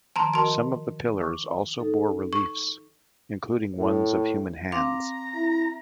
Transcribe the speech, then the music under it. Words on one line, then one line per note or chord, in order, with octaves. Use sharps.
Some of the pillars also bore reliefs, including ones of human hands.
D#3 F3 A5 A#5 C6
F#4 A#4 D#5 A5 C6
C#6 D6
D#4 A4
C#6
A2
C4 F5 A#5 D6
E4